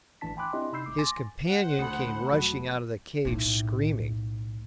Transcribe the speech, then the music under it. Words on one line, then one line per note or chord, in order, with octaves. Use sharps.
His companion came rushing out of the cave screaming.
G#1 E3 A3 D4 A5 B6
G5 G#5 B5 C6 D6 F#6
C4 D4 E4 G4 D#5 C6
C3 D#4 B5 E6 G6 C7
A1 A3 D6
G#5 C6 D6 A6 A#6
C5 F#5
D2 A3 A4 B5 D#6
E1 F#3 C#6
B1 A2